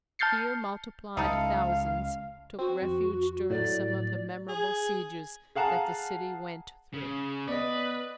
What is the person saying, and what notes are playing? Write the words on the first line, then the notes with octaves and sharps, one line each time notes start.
Here multiplied thousands took refuge during some of the memorable sieges that the city went through.
A5 F6 G6 A6 C7 C#7
C#2 D#4 E4 A4 F5
C4 F#4
F2
A2 F#3 D5
G#4
G#4 F5 F#5 A5 A#5
C#3
B3 B4 D5 D#5